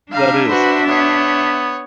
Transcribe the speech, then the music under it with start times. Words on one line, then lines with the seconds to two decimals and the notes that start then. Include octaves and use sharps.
That is.
0.12 G3 D4 E5 F5 A#5
0.48 F#4 B4 C5
0.87 B3 C#5